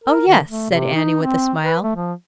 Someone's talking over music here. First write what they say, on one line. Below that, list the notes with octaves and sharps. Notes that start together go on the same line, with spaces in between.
"Oh yes," said Annie, with a smile.
A#4
D#3
A3
C3
D#4
C4
B4
A3
F3